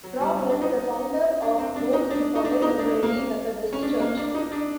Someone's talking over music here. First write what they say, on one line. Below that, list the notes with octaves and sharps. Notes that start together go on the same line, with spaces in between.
Roberts, the founder of both the college and the Free Methodist Church.
F#3
G3
C#4
D4
D#4
D4
C4
D4
D#4
D4
D#4
D4
D#4
D4
A3
A#3
C#4
D4
A#3
D4
D#4
D4